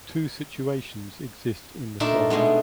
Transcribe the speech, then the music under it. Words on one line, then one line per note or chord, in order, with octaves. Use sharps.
Two situations exist in the song.
A#2 A3 D4 D#4 A#4 E5
B2 G#3 A3 B3